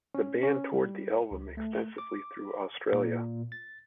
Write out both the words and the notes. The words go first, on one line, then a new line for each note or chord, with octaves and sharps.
The band toured the album extensively throughout Australia.
C#4
C#4
G3
C#2
A3
D6
A#2
A6